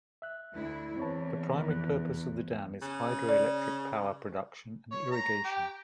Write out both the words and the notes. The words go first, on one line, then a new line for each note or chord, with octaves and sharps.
The primary purpose of the dam is hydroelectric power production and irrigation.
E5 F#6
D2 E4
E2 C4 C#5 A5
F2 B3 F#6
C#3
D5
C#5
A#5
G4